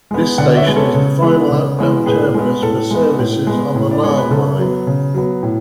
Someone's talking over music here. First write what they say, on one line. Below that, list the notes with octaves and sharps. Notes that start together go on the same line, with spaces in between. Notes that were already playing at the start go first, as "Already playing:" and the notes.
This station is the final outbound terminus for services on the Larne Line.
G#3 B3
D3 D5 F#5
D5
C#5 E5
G#3 B3
A4 C#5
C#3
E3 G#3 B3
C#3
E3 G#3 B3
A2 G#4 B4
G#3 B3
A2 A4
G#3 B3
A2
G#3 B3
A2
D5
G#3 B3 C#5
B4
C#3 A4
F#3 B3
C#3
F#3 B3
A2